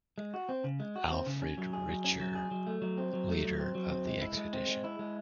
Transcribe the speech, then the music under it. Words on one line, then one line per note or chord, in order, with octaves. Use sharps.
Alfred Ritscher, leader of the expedition.
G#3
F#4
C4
C#3
G#3
F#4
C4
C#3
C#4
F#3
G#4
F#3
C#4
F#3
G#4
F#3
A3
F#3
C4
F#3
A3
F#3
C4
F#3
C4
G#3
E4
G#3
C4
G#3
E4
G#3